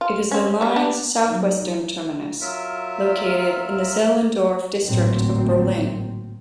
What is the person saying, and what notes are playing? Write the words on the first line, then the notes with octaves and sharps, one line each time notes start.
It is the line's southwestern terminus, located in the Zehlendorf district of Berlin.
F4
C4 C#4
F#3 G3
D4 G4
F#3 D#4
F#3 F4 A#4 E5
G#1 D2 A2 F#3 A#3 C4